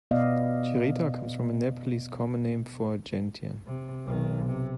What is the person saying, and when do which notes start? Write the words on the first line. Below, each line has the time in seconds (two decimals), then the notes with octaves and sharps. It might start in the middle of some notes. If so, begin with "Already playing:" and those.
"Chirita" comes from a Nepalese common name for a gentian.
0.11 B2 B3 D5 D#5 F5
3.66 C3
4.05 B1 D#3
4.46 C3